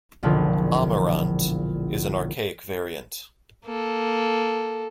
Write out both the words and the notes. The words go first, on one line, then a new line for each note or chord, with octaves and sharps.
"Amarant" is an archaic variant.
E1 A#1 D3 F3 F4
A#3 A4